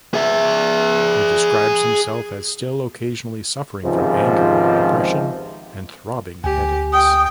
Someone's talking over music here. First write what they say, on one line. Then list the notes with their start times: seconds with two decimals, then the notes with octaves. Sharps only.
He describes himself as still occasionally suffering from anger, depression, and throbbing headaches.
0.14 G#4 E5
3.84 G#1 C#2 G#2 C3 F3
6.44 D2 G4 G#5
6.93 G5 D#6